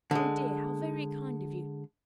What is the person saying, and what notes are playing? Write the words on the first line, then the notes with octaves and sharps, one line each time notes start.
Oh dear, how very kind of you!
D3 G#3